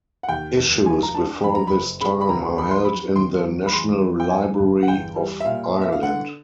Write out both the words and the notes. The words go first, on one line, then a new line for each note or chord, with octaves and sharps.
Issues before this time are held in the National Library of Ireland.
F#5
D#2 G5
F1
F3 G#5
A#5
D4 A5
F2 B5
A#5
F#1 B5
C#3 B5
B5
D2 A#5
F2 B5
C6
F#3 B5
D#2 C6
F#3
B5
E2 C6
F#3
G5
F2 G#5
G1
F#5
E2 G5
G3
E5
A#2 F5
B3
E5
F5
D3 F#5